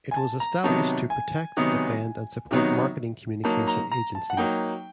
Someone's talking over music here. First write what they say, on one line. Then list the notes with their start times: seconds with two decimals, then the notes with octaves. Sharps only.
It was established to protect, defend and support marketing communication agencies.
0.11 G#5
0.16 A5
0.40 A#5
0.64 C3 D#3 F#3 B3 D#4 A5
1.10 G#5
1.57 C3 D#3 F#3 B3 D#4
2.51 C3 D#3 F#3 B3 D#4
3.44 F#3 A#3 D#4 A5
3.68 A#5
3.92 A#5
4.15 A5
4.30 F#5
4.37 F#3 A#3 D#4 G5